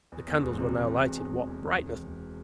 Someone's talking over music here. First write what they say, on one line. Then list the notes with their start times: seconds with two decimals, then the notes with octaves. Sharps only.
The candles were now lighted--what brightness!
0.12 E2
0.28 E2
0.43 E1
0.58 C3
0.73 E1
0.87 C3
1.02 E2
1.18 E2
1.32 E1
1.47 E2
1.62 E1
1.77 E1
1.92 E1
2.07 E1